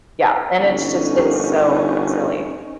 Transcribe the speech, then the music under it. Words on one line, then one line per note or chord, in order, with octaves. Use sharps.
Yeah, and it's just it's so silly.
G1 C#4 D#4
G4 A#4